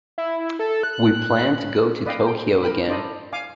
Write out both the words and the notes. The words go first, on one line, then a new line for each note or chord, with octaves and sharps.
We plan to go to Tokyo again.
E4
A4
F#6
B4 D5 D#5 F5 G5
G5
A#4 G5 B5
D4 E4 C5 D5 D#5
F5 G#5 D6